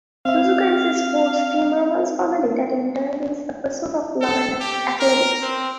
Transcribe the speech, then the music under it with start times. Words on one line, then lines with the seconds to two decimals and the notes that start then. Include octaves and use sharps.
"Suzuka" is a sports-themed romance comedy that intertwines the pursuit of love and athletics.
0.25 C4 E5 F5
4.21 A4
4.60 G4
4.99 A#4
5.42 C4